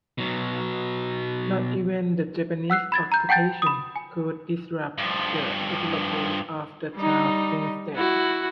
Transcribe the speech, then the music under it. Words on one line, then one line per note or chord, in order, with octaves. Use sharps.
Not even the Japanese occupation could disrupt the development of the town since then.
B2 F#3
F#5 E6 F#6 C7
B5 G#6 A6
A#5 G6
F#5 G5 A5 G6 A6
B5 D#6
G#5
G2 F3
G3 D#4
E4 F#4